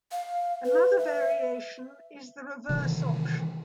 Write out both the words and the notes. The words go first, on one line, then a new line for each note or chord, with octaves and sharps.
Another variation is the "reverse option".
F5
B4
E5
C3 D#3 E3